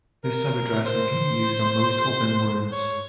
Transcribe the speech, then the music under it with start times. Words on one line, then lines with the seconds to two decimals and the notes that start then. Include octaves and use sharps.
This type of dressing can be used on most open wounds.
0.24 A#4
0.86 C5
2.72 C#5